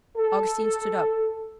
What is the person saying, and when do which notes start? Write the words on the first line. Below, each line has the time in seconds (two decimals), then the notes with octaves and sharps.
Augustine stood up.
0.16 A4